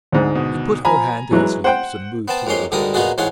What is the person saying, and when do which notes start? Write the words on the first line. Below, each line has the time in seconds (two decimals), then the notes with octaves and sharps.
He put her hand to his lips, and moved towards the door.
0.12 D2 G#2
0.35 B2
0.85 F3 G#5 A#5 B5
1.31 E3 F#3 G#3
1.64 C5 F#5 G5
2.28 B3 C4 A5
2.47 F2 G#2 A#3 C#4 C6
2.72 D2 G#2 D3 G3 A#4 D#6
2.94 A#2 B3 D#4 F4 F#4 G#4
3.18 A1 G#2 F4 G#4 C#5 F#5